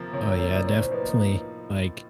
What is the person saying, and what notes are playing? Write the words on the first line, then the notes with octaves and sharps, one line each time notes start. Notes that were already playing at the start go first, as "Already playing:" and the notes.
Oh, yeah, definitely. Like,
Already playing: C3 F3 A#3
C3 C#5
C#5
F3 A#3 C#5
D5
A2 C#5
C5
F3 A#3 D#4 B4